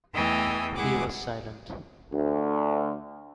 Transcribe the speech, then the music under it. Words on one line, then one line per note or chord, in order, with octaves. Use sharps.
He was silent.
E2 E3 A3 D#5 G5 G#5
G#3 E4 G#4 F#5 D6
D2